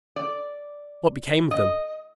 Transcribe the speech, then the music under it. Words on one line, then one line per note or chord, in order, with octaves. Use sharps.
What became of them?
D5
D#5